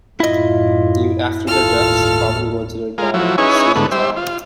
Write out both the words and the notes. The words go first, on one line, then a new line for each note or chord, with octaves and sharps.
After their deaths, the property went to their daughter, Susan Todd.
F#2 A2 E4 F4 D#5
G1 D#2 A2 F4 A4 F6
G#3 F4 A#4
F3 F#3 E4
C#4 D#4 E4 G#4 B4 C#5
G#2 D3 A3 B3
G3 C5 E5
F4